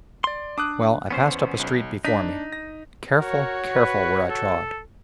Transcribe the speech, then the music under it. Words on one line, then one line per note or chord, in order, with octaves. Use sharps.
Well, I passed up a street before me, careful, careful where I trod.
D5 C6
D4 D6 D#6 F#6
E2 B3 C#4 C5
B1
D4 D#4 B6
A#6
F#4 A#4 C#5
B4
A4